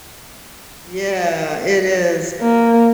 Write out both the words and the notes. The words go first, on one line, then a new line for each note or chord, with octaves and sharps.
Yeah, it is.
A#3